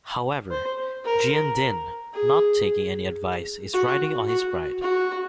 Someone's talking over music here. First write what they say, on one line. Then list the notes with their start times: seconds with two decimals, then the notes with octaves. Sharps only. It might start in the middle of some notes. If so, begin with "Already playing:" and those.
However, Gian Dinh, not taking any advice, is riding on his pride.
0.51 C5
1.05 A#4
2.13 G#4
3.74 F#4
4.28 F#4
4.82 F#4